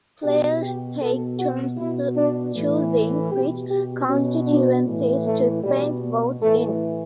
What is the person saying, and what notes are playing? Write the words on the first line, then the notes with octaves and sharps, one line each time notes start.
Players take turns choosing which constituencies to spend votes in.
B2 G4
G4
B2 A4
F#4
B2 E4
D4
A2 E3
B2 G4
G4
B2 C#4
D4
A2 E3
A3
B2 G3
A2 E3 A3